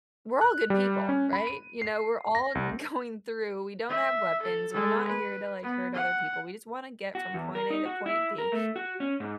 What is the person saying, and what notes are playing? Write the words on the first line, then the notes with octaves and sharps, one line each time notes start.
we're all good people, right? You know, we're all going through we don't have weapons, we're not here to, like, hurt other people, we just wanna get from point A to point B,
F#6
G3
C#4
B5
D#7
C7
A#6
C2
E5
A4
G#3 A4
B4
B3
F#5
F#4
E2
A#4
D#4
F#4
E4
A#4
A3
F#4
C#4
G#2